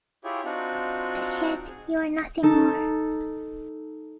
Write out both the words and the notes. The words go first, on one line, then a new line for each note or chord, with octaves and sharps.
As yet, you are nothing more.
E4 F4 G4 G#4 C#5
C4 D4 D#4 F4 F#4
G#4
D#4 A4